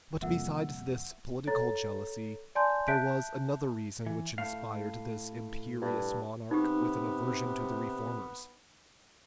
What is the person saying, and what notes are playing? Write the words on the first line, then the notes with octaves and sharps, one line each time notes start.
But besides this political jealousy, there was another reason which inspired this imperious monarch with an aversion to the reformers.
C2 F2 A#2 E5 F#5 E6
A4 C#5 A#5 A6
D5 G#5 A5 C6 G6
E5 A5 F#6 G6 B6 D7
E3
A2 A3 F5
G2
C3 B3 D#4 G4